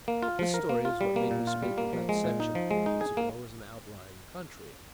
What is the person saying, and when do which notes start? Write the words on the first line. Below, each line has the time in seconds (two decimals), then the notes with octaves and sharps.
This story is what made me speak of that section a few minutes ago as an outlying country.
0.08 A#3
0.23 F4
0.39 F3
0.54 A#4
0.69 A#3
0.85 F4
1.01 G3
1.16 A#3
1.31 A#2
1.47 F4
1.63 G3
1.78 A#3
1.93 F3
2.09 G#3
2.24 A#2
2.40 D#4
2.55 F3
2.71 G#3
2.86 D#4
3.01 G#4
3.17 A#3